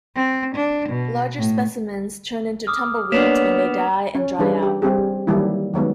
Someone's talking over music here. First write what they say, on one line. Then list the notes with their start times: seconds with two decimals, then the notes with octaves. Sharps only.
Larger specimens turn into tumbleweeds when they die and dry out.
0.15 C4
0.55 D4
0.89 B2
1.38 A2
2.67 D6 D#6 F6
3.12 A#3 B3 D4 C#5 B6 E7 F7
4.15 C#4
4.39 E3 G3 D4 G#4 B4
4.63 G4
4.82 G3 C4 G4 G#4
5.27 D#3 E3 F#3 G3 A#3 E4
5.74 D#3 F#3 G#3 B3